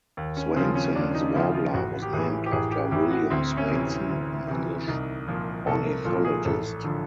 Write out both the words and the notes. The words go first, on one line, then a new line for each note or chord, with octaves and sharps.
Swainson's warbler was named after William Swainson, an English ornithologist.
D#2
C#4
C#3 F3 C4
C#4
D#2 D4
D#4
C#3 F3 E4
F4
A1 F#4
G4
A2 E3 G#4
G4
A1 G#4
G4
A2 E3 G4
F#4
D2 C4
C#4
C3 E3
D2
C3 E3
C2 D#4
A#2 F3
C2 A4
A#4
A#2 F3 A4
G#4
A1 A4
D3 F3